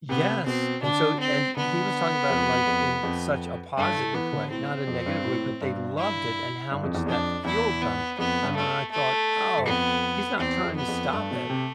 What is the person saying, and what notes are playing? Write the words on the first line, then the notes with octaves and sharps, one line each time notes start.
Yes, and so and he was talking about it, like, in such a positive way, not a negative way, but they loved it and how much that fueled them, and then I thought, "Oh, he's not trying to stop it,
C3 B3
B2 C4
D3 D4
C4
D3 B3
F2
F2
F2
G2 A3
A2
E3 B3
D3
A2 C4
F2
G2
A2
G2
E4
G2
F2
E2
F2 D4
E2 E4
B3
F2 B3
G2
A3
A3
G2
F2 B3
E2 C4
F2
B3
F2
G2 A3
B2
C3